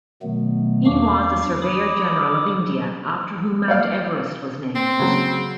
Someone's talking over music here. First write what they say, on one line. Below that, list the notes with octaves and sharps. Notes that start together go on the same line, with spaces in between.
He was a Surveyor-General of India, after whom Mount Everest was named.
B2 D#3 F#3 A3 B3
E2 D4 F5 C#6 D6
B5 D6 D#6
C#5 D5 F5
C4
C#3 F#3